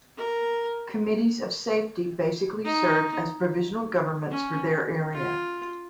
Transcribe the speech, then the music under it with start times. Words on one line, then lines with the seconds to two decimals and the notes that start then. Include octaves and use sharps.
Committees of Safety basically served as provisional governments for their area.
0.17 A#4
2.64 D#4
4.31 C#4
5.13 F4